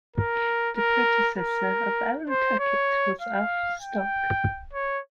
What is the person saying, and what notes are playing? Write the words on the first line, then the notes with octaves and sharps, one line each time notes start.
The predecessor of Alan Tuckett was Arthur Stock.
A#4
A#4
A#4
C5
C#5
F5
G5
C#5